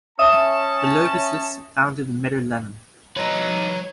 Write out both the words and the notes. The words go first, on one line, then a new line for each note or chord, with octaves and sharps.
Bellovesus founded Mediolanum.
C#4 E5 A5 D#6
D#4 B4 C#5 A#5